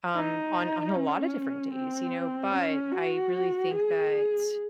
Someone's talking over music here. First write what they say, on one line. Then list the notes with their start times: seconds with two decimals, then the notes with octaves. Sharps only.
um, on on a lotta different days, you know? But I really think that
0.16 D#4
0.95 C#4
1.74 C4
2.51 C#4
2.92 F#4
3.71 G#4